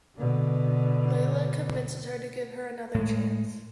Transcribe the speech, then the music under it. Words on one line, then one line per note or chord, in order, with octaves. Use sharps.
Layla convinces her to give her another chance.
B2 D3
A2 G#3